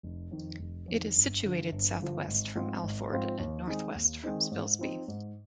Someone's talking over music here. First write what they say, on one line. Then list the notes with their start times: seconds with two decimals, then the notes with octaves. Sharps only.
It is situated south-west from Alford, and north-west from Spilsby.
0.03 F1
0.31 F2 D#3
0.59 F1
0.88 F2 D#3
1.15 G1
1.44 G2 D3 F3
1.72 G1
1.99 G2 D3 F3
2.28 G#1
2.55 G#2 F3 C4 F4
2.83 G#1
3.12 G#2 F3 C4 F4
3.39 D#2
3.67 D#3 G#3 C4 D#4
3.95 D#2
4.23 D#3 G#3 C4 D#4
4.51 G#2
4.79 F3 C4 D#4
5.08 G#2